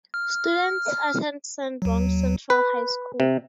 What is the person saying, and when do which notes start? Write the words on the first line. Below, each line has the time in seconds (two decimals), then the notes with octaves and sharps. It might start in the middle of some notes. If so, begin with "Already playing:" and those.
Students attend Sanborn Central High School.
0.14 F6
1.82 D#2 F#3
2.50 B4
3.20 C3